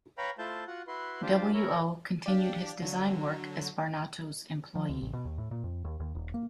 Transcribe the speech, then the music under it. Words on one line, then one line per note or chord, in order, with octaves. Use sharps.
W. O. continued his design work as Barnato's employee.
B4 C#5 F5 G5 A#5 B5
A3 E4 F4 C5 A5 G6
F4 F#4 F#5
E4 F#4 B4 C6
D4 F4 G4 C5
E4 A#4 C#5
D4 G4 D5 F5
D3 F#3
F3
D2
A1
B2
D#2
A2
A#2
F2
D#2
D#2
D#1
A#3